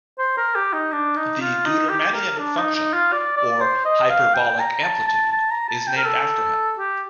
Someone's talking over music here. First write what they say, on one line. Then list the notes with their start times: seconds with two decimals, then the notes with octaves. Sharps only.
The Gudermannian function, or hyperbolic amplitude, is named after him.
0.18 C5
0.37 A#4
0.55 G4
0.73 D#4
0.92 D4
1.16 D#4
1.41 F4
1.65 D#4
1.89 G4
2.14 A#4
2.38 D4
2.57 D#4
2.75 D#4
2.93 F4
3.12 D5
3.37 D5
3.61 C5
3.85 D#5
4.10 F5
4.34 G5
4.59 A#5
4.83 A5
5.08 A5
5.32 A5
5.50 A#5
5.69 A5
5.87 G5
5.97 A#4
6.06 A4
6.78 G4